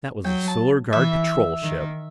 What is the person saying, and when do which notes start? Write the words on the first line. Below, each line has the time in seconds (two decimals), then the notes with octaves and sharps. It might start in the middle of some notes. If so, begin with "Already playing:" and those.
"That was a Solar Guard patrol ship!"
0.24 F#3 G5
0.48 A5
0.93 E3 E5
1.62 D#3